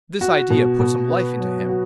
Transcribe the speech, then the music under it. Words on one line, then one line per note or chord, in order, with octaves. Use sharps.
This idea put some life into him.
F#4
B2
B2
B3
F#3
F#4